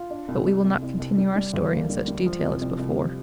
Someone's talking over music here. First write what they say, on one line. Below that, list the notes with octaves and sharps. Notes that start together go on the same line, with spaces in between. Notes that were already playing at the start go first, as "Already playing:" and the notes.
But we will not continue our story in such detail as before.
Already playing: F4
D4
C2
C2
C2
C2
C2
G3
G3
D2
A#3
G3
G3
F3
C2
C2
C2
F3